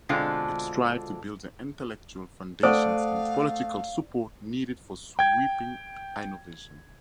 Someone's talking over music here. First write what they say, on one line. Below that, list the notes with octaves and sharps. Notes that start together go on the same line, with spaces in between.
It strives to build the intellectual foundations and political support needed for sweeping innovation.
B2 D3 G#3 C4 D4 F4
A3 C5 D5 F5 F#5 D#6
G5 G#6